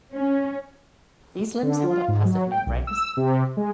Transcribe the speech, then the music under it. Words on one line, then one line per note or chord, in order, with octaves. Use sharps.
These limbs hold up passive membranes.
C#4
D3
F4
G#2
F#3
G5
B1
E6
C3
G#3